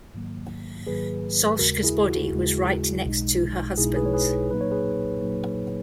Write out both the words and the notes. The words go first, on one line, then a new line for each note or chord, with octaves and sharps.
Solska's body was right next to her husband's.
G#2 D#3 F#3 A#3
G#2 D#3 F#3 A#3 G#4 B4
D#2 C#3 G#3 F#4 A#4
E4 G#4
F#4
D#2 C#3 G#3
B1 B2 G#3 D#4
B1 B2 G#3 D#4 E4 G#4
G#4 B4
C#5
G#4 B4
A#2 F#3 A#3 D#4 B4
C#5
G#4 B4
A#2 F#3 A#3 D#4